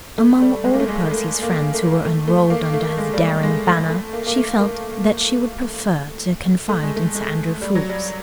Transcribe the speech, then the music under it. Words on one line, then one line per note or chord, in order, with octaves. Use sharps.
Among all Percy's friends who were enrolled under his daring banner, she felt that she would prefer to confide in Sir Andrew Ffoulkes.
A3
G3
G#3
A#3
A3
G#3
A3
A#3
A3
A3
A3
A#3
A3
G#3
G3
G#3
G#3
A3
A3
A#3
A#3
A3
A3
A3
G#3
A3
G#3
G3
F#3
G3